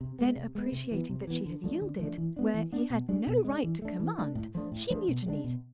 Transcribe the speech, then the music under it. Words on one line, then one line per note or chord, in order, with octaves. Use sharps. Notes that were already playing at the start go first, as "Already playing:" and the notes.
Then, appreciating that she had yielded where he had no right to command, she mutinied.
C3
G#3 B3
C3
G#3 B3
C3
E3 B3
C3
E3 B3
D3
F3 A3 D4
D3
F3 A3 D4
E3
B3 D4
E3
B3 D4
B2
G#3 D4
B2
G#3 D4
E3
A3 D4
E3
A3 D4
A2
F3 A3 D4
A2
F3 A3 D4
B2
G#3 B3 D4
B2